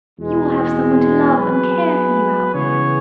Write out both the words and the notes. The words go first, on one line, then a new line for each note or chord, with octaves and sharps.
You will have some one to love and care for you out there.
E2 B2 G#3
F#3 B3 G#4 B4
C#3 E3 B3 G#4 C#5